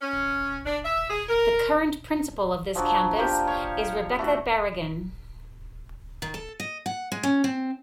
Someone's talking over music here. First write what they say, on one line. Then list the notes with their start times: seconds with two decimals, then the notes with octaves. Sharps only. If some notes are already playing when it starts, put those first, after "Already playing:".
The current principal of this campus is Rebeca Barragan.
0.02 C#4
0.66 D4
0.85 E5
1.10 G#4
1.28 A#4
2.75 F3 F#3 D4
3.17 F3 A#3 G4
3.47 C#5 F5
4.19 A3 D4 F#4
6.22 D#3
6.34 A4
6.60 D#5
6.86 F#5
7.12 G#3
7.23 C#4
7.44 C4